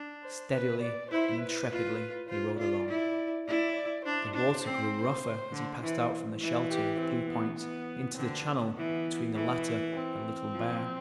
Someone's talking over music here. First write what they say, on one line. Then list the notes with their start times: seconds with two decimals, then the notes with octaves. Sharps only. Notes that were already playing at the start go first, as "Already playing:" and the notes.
Steadily and intrepidly he rowed along. The water grew rougher as he passed out from the shelter of Blue Point into the channel between the latter and Little Bear.
Already playing: D4
0.23 C5
0.52 B4
0.82 D5
1.11 E4 C5
1.40 B4
1.70 F4
2.29 F4 C5
2.58 F4 D5
2.88 E4
3.46 E4 D5
3.76 D5
4.05 D4 C5
4.34 D4
4.64 C4
5.52 D3
5.82 E3
6.41 E3
6.70 G4
7.00 C4
7.29 B3
7.58 B3
8.17 D3 C4
8.46 B3
8.77 E3
9.35 E3
9.93 C4
10.53 F3